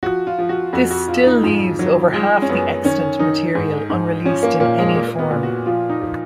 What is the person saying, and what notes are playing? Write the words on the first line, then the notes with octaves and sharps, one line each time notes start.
This still leaves over half the extant material unreleased in any form.
F3 F#4
F4
F3
F#4
F2 F#4
F#4
F3 F4
D#4
G#2 F3
D#3 F#3
F3 G#3
C#4
F#2 B3
D#3 C#4
D#3 D#4
G#2
G#2
F3 C#4
A#3
A#2 A#3
G#3
A#2 A#3
A#3
B3
A#2
F#4
F3 F4
D#4
F3